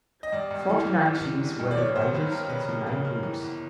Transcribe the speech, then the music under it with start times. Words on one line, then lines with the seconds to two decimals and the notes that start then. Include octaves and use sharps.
Forty-nine teams were divided into nine groups.
0.23 D#5
0.32 G2 D5
0.51 G2
0.69 E3
0.87 G#1
1.06 G#1
1.23 E3
1.41 G#1
1.60 G2
1.71 D5
1.77 F3 C#5
1.95 D#2 C5
2.13 A#3 B4
2.32 A#3 A#4
2.50 C#3 B4
2.69 F3
2.86 C#3
3.05 A#3
3.23 E3
3.40 G1